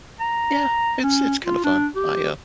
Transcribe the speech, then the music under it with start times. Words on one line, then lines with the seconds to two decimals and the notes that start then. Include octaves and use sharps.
Yeah. It's it's kinda fun. I, uh
0.20 A#5
1.03 C#4
1.45 F4
1.64 D4
1.96 G4